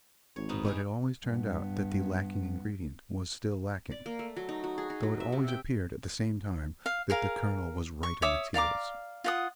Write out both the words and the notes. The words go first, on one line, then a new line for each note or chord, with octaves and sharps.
But it always turned out that the lacking ingredient was still lacking--though it always appeared, at the same time, that the Colonel was right on its heels.
G#1 C#5
G#2 B3 D#4
D#4 G4 G#4
G2 B3
D5
A#3
A3
F#3
D#4
F#4
G#4
D#4
F#3
E5
C3
G5
F5
G#4 A#4 F5
C#6
C#5 E5 D6 D#6
D5 F5 A#5 D6
F4 F#5 D#6